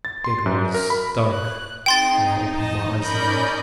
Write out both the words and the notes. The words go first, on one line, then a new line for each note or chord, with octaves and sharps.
It was dark when I opened my eyes again.
A6
C6
F#2
A#4
B5
F#6
C4 D#4 G#4 G5 C6 A6
F2 D#5 A5
C#4 A#4 D5 D#5 B5 G6